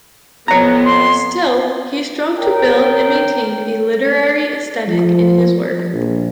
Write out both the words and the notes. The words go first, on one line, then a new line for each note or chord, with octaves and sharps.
Still, he strove to build and maintain a literary aesthetic in his work.
F2 B3 C#5 A#5
C6
A#4 C#5 G5
F3
A#1